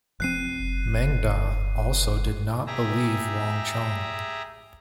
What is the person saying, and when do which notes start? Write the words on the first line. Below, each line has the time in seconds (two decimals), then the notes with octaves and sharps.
Meng Da also did not believe Wang Chong.
0.20 F1 F3 C4 F#6 C7 D#7
2.67 G4 G#4 E5 A#5